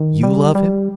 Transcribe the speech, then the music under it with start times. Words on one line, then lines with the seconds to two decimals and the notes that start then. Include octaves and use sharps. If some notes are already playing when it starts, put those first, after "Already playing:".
'YOU love him?
Already playing: D#3
0.23 G3
0.55 G3